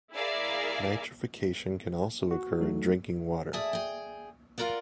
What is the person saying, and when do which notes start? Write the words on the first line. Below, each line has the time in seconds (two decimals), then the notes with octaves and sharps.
Nitrification can also occur in drinking water.
0.13 E4 G#4 A#4 D5 E5 F5
2.31 F#4
2.60 F#3 A3 D#4 F#4 A4
3.53 G#4 D5 E5 G#5 A5
3.73 G#4 G5
4.58 F4 F#4 A#4 D5 F#5